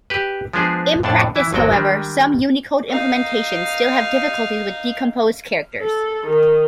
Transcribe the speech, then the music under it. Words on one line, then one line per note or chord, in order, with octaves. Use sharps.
In practice, however, some Unicode implementations still have difficulties with decomposed characters.
G4 B4
F3 G#3 B3 D4 G#4 C5
F2 A2 D4 F#5 A5
E3 E4
G#1 F2 F#3 G#3 F#4 G5
D#3 G3 G#3 D4
D#4 F5
A4
D#3